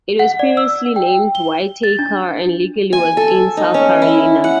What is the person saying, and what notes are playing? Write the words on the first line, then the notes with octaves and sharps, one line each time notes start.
It was previously named Whitaker and legally was in South Carolina.
F#5
D5
E6
G5
G7
A6
D4
G#5
A4
D#4
C#4
E4
F#5